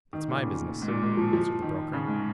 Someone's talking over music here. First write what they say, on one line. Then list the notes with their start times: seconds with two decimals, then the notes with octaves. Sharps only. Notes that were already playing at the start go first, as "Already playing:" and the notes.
"That's my business," answered the broker.
0.13 D#3
0.31 A#2
0.43 C#3
0.81 G#2
0.88 A#2
1.02 G#2
1.17 F3
1.33 F3
1.62 D#3
1.93 C#3
2.07 G#2